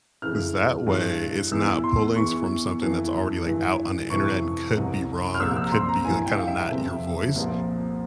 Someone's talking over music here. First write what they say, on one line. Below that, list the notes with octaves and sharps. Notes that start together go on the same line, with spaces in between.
'Cause that way, it's not pulling s from something that's already, like, out on the Internet and could be wrong or could be, like, kinda not your voice,
F2 C#3 E3 F6
G2 E3
E2 E3 E6
C6
E2 E3 C#6
F2 E3
G2 E3
F2 C3 E3 C#6
C2 C3 E3
F6
C2 A#2 F3 E6
E6
A#5
C6
A#5
G2 E3 G#5
G5
F5
E5
F2 C3 F3
C2 A#2 F3